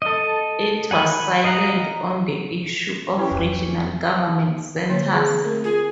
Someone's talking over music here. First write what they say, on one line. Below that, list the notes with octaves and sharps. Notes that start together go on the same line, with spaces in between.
It was silent on the issue of regional government centers.
A4 D#5
F#5 G#5 B5
D#5 F5 F#5 A#5
E3 C#4 G4
F2 F#3
D3 A#3 C#5
G#4
A3 C4 A#4
F4 G#4